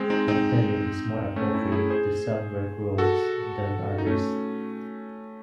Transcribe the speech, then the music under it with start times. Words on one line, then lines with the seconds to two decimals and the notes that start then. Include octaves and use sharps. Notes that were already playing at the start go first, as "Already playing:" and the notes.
Hoteling is more appropriate to some work roles than others.
Already playing: G#3 C4
0.10 C4 D#4
0.28 C4 D#4
1.36 A3 C#4
1.54 C#4 E4
1.72 E4 G#4
1.90 G#4 C5
2.98 F#4 A4
3.98 D#4
4.07 A3 C#4